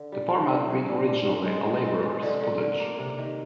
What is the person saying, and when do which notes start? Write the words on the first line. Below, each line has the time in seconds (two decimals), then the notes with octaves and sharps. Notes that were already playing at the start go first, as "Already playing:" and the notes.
The farm had been originally a labourer’s cottage.
Already playing: D3
0.12 G3
0.31 G3
0.50 D3
0.70 G#4
0.88 G3
1.07 G3
1.26 C4
1.45 G#3
1.65 G#3
1.85 C4
2.03 G#3
2.23 D3
2.41 D3
2.60 D3
2.80 A#3
2.99 C3
3.18 D#3